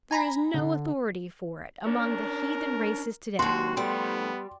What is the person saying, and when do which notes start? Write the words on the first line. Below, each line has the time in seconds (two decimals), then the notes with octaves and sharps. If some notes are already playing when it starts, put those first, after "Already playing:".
There is no authority for it among the heathen races to-day.
0.11 G#5 A#5 B5
0.54 D3
1.86 C#4 D4 A#4
3.39 D#2 G#2 F#3 F#4 C6
3.77 F2 G3 A3 B3